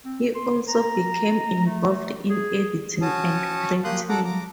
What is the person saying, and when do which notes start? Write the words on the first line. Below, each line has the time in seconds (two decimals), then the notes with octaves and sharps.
He also became involved in editing and printing.
0.05 C4
0.35 C6
0.68 A#5
1.66 A3
2.30 G#4
3.02 C#4 F#4 C#5 A5 D#6
3.84 A#3 G4 C6 D#6 F#6 G6
4.09 A4 F#5 A#5 D6
4.25 A#5 D6